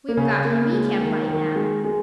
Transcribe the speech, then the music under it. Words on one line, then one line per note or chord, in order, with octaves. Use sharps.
"We've got him; he can't bite now."
A#3
C#3 C#4
A#3
G#3
D#3
D#3
G#3
G#3